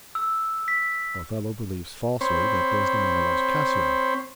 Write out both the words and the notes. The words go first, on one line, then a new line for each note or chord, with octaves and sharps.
Othello believes falsely that Desdemona loves Cassio.
E6
B6
C4 C5 C#5 B5